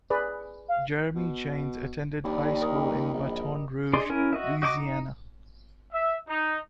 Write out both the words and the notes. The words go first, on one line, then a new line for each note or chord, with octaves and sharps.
Jeremy Jaynes attended high school in Baton Rouge, Louisiana.
G#4 B4 D5
F5
B2
D#2 G3 D4
D#4 A#4 D#5
G3
A#1
D4 G#4 D5 D#5 C6
C#4 E4 A#4 G#5
F#4 D#5 E5
F#4 D#5 G5 D6
D#4
E5
D#4